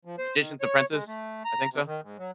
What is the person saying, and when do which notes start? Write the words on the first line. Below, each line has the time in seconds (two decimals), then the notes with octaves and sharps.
The Magician's Apprentice? I think so.
0.05 F3
0.18 C5
0.39 D#3
0.61 C#5
0.92 G#3
1.07 A3
1.45 A#5
1.72 C3
1.86 D#3
2.02 G#2
2.18 F#3